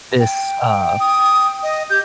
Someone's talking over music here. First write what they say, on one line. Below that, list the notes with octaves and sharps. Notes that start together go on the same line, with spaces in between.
This, uh,
G5
D#6
D#5
G4 G6